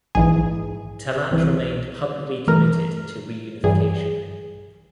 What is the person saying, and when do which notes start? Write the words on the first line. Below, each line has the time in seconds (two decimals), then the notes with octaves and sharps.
Talat remained publicly committed to reunification.
0.15 A#1 G#2 E3 G#4
1.31 C2 C3 E3
2.48 G2 E3 A3 A#4
3.64 G2 E3 G3 G#4